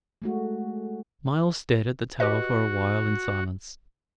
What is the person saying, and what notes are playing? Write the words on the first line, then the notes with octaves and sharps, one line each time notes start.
Myles stared at the tower for a while in silence.
G#3 A3 F#4
F#4 G4 B4 D#5